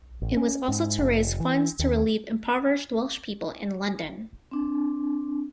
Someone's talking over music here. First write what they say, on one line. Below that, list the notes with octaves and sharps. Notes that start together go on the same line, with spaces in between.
It was also to raise funds to relieve impoverished Welsh people in London.
A1
C#4
G#2
F1
E3
D#2
C4 D4